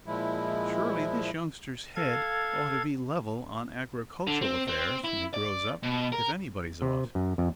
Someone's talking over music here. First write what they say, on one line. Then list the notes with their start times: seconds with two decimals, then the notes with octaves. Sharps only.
Surely, this youngster's head ought to be level on agricultural affairs, when he grows up, if anybody's ought.
0.06 A#2 F3 G#3 E4
1.96 A4 F5 G#6
4.27 D3
4.41 C4
4.67 C4
5.04 E4
5.33 D5
5.83 B2
6.12 A#4
6.82 C3
7.15 F#2
7.38 F2